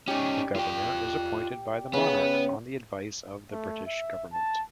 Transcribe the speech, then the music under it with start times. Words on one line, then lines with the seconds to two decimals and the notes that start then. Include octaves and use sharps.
The Governor is appointed by the monarch on the advice of the British government.
0.08 C#4 D#4 G4 D5
0.56 F4 G5
1.93 C#3 B3
3.52 A3
3.86 E5
4.33 A5